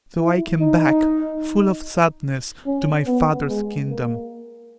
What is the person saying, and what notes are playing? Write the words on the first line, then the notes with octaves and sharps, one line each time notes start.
So I came back, full of sadness, to my father's kingdom.
E4
D#4
C#4
B3
G#3
A#3